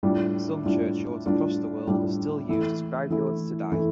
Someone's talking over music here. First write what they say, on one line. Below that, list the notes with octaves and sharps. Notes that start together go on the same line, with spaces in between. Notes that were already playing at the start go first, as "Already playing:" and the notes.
Some churchyards across the world are still used as graveyards today.
A2 G3 D4 F4
A2 G3 D4 F4
A2 G3 D4 F4
A2 G3 D4 F4
E3 A3 E4
E3 A3 E4
E3 A3 E4